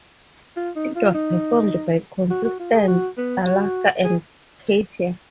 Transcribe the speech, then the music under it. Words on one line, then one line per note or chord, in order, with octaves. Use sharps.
It was performed by contestants Alaska and Katya.
F4
D#4
F4
D#4
F#4
F#4
F4
G#4
F#4
B3
F#4
G#4